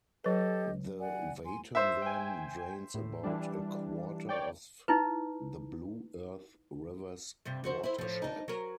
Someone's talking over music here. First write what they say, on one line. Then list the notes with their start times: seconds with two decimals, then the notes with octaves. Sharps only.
The Watonwan drains about a quarter of the Blue Earth River's watershed.
0.24 F#3 G4 A4 B4 D#5
1.00 D5 F#5 G#5
1.45 G#5 C6
1.75 C5 E5
2.02 G5 G#5
2.94 A2
3.24 E3 G3 D4
4.29 C#5 D5 G5
4.88 D#4 E4 B4
7.45 G2 C3 G3
7.64 F2 F#4 C5
7.83 E4 C5
7.98 A2 F3
8.22 D4 D#4
8.48 F#3 A#4